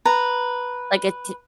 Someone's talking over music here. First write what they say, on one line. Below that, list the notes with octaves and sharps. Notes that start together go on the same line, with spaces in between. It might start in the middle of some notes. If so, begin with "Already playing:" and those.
Like, a t
B4 A#5